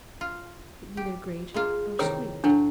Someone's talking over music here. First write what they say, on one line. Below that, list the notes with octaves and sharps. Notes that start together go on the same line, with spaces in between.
It neither grated nor squeaked.
F4
G4
G#3 A#3 F4
C3 D#3 E3 C#5 E6
A2 F#3 D4